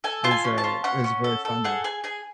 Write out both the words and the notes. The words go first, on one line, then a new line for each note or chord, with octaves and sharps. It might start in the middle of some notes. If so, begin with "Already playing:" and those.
is, uh, is really fun though.
A4 G#5
F4 A5
G#5
C#4
A5
F4
C#4 F#5
C#4
A4
A4
G#4 F#5
G#4 G#5
G#4 G#5